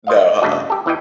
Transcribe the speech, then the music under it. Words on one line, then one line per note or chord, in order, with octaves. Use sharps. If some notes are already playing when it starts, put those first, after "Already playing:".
No, uh-uh,
C5 D#5 F5
G2 C#3 A3 D4 F#4
G4 A4
E2 E3 E4 D#5 G5